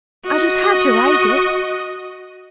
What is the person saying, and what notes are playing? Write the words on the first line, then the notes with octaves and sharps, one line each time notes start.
I just had to write it.
F#4 D#5